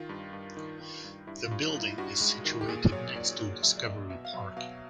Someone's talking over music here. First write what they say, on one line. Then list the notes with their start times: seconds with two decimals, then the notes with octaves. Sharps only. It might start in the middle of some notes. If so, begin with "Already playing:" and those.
The building is situated next to Discovery Park.
Already playing: D#3 F4
0.09 G2
0.33 G2
0.57 D#3
0.80 D#3
1.04 G2
1.27 G2 E4
1.46 F4
1.51 G2
1.62 D#4
1.74 G2 F4
1.80 E4
1.98 G2 F#4
2.21 G#3
2.45 D#3
2.61 G4
2.68 A#2 G#4
2.92 F#3 C#5
3.15 A#2 D5
3.39 A#2
3.63 F#3 E5
3.78 D5
3.86 A#2 D#5
4.10 B2 E5
4.25 F5
4.34 F#3 E5
4.57 B2 F5